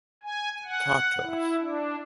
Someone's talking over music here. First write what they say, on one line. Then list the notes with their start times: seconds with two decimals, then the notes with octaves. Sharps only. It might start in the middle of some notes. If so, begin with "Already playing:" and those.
Talk to us.
0.23 G#5
0.65 F#5
1.23 E4
1.60 D4